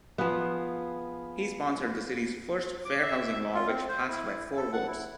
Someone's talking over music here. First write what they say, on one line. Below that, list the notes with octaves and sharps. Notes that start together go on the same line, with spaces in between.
He sponsored the city's first fair housing law, which passed by four votes.
F3 B3 G#4 B4 F5
D6
E5
F4
C4
C5
E4
A4
F#5
E4